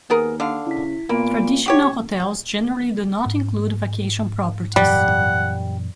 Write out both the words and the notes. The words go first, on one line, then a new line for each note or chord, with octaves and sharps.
Traditional hotels generally do not include vacation properties.
D#2 B3 G#4 A#4
D3 F5
C#3 E4 B6
A#2 A#3 B3 B5 D7
F#4 G4 C#5 C#6 G#6
G#2
F#2 A#2 E3 G3 F#5